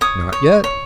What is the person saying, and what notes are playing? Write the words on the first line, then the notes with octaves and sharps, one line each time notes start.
"Not yet."
C#5 D#6
C#5
C#5